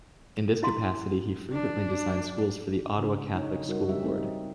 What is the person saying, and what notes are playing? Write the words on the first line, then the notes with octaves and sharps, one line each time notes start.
In this capacity he frequently designed schools for the Ottawa Catholic School Board.
E4 F5 C6
D4
C#3 D4
D#4 C#5
G3 D#4 F#4 A#4
G3 G4 E5
C4 D#4